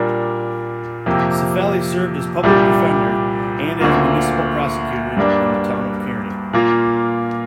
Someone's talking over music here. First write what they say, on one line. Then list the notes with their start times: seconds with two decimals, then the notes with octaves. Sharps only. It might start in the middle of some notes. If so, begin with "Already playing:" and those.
Cifelli served as public defender and as municipal prosecutor in the Town of Kearny.
Already playing: A#2 G3 D4 A#4
1.06 F2 C3 A#3 G4
2.43 C2 A#2 G3 D4 G4
3.80 D2 D3 A#3 F4
5.17 G2 G3 A#3 D4
6.53 A#2 A#3 F4